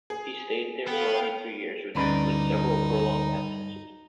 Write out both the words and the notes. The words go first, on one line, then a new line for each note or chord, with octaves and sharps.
He stayed there for only three years, with several prolonged absences.
G#4
B3 A4 F5 G5
D2 G2 C#4 D#4 B4 D5 A#5